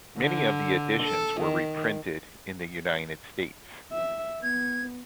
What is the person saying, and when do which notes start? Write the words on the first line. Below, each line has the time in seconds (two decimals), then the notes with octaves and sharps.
Many of the editions were reprinted in the United States.
0.18 D3
1.03 A4
1.41 D#3
3.92 E5
4.43 B3 G#6